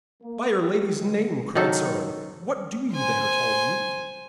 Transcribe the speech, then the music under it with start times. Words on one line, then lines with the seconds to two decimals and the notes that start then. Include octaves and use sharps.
'By'r Lady's name!' cried Sir Owen, 'what do you there, tall youth?'
0.23 A#3
0.59 G4
0.97 C#2
1.55 D#3 F#3 A4
2.93 C5 G#5